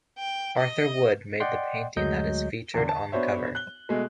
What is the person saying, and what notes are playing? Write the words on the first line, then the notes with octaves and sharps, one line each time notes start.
Arthur Wood made the painting that is featured on the cover.
G5
D#5
D5 D#5 F#5 G5 C6
D2 F#3 G#3 D#5 G6
E2 D3
A5
B3 D4 F#4 C5 C#5 E5
F#6 G7
B2 G#3 A3